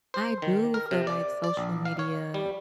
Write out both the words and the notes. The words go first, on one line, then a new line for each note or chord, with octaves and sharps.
I do feel like social media
C5
D#3
A#4
C3
D5
D5
A#1
F5
C#5
G3